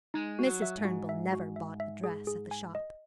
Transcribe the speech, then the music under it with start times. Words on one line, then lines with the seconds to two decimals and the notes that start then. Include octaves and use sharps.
Mrs. Turnbull never bought a dress at the shop.
0.14 G#3 D#4
0.39 F#4
0.46 F#3
0.62 E5
0.77 G#2
0.85 F#4
1.09 E5
1.33 F#4
1.56 E5
1.80 E5
2.04 G#4
2.27 G#4
2.51 G#5
2.75 D#5